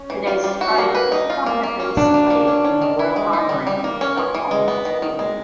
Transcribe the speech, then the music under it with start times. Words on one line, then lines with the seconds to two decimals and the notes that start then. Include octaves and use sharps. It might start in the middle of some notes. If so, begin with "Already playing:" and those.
Today Streiff is permanently displayed in the Royal Armoury in Stockholm, Sweden.
Already playing: C#4
0.10 E3
0.27 F4
0.44 G3
0.61 F#4
0.78 A#3
0.95 B4
1.12 D#4
1.30 F4
1.46 A#3
1.63 A#3
1.80 C#4
1.97 D4 F#4
2.14 A#3
2.30 A#3
2.47 C#4
2.64 C#4
2.82 D#3
2.99 E4
3.16 G#3
3.33 D#4
3.49 G3
3.67 G3
3.84 A#3
4.01 C#4
4.17 E3
4.35 E3
4.51 G#3
4.68 B3
4.85 D#3
5.02 D#3
5.19 G#3